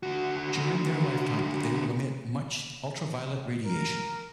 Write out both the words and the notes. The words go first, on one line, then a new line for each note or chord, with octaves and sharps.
During their lifetime, they will emit much ultraviolet radiation.
D3 F#4
A#4